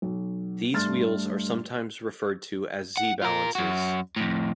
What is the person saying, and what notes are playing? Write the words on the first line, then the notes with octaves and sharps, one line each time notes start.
These wheels are sometimes referred to as "Z-balances".
B1
G2 A3 C6 F6 A6
F#5
F4 A#4
F#2 F#4
F2 A2